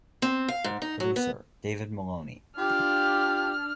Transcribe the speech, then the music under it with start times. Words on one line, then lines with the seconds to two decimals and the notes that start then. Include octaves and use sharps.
Producer: David Maloney.
0.22 C4
0.48 F5
0.64 G#2
0.82 D#4
1.00 F#3
1.16 B3
2.58 D4 F4 G4 F6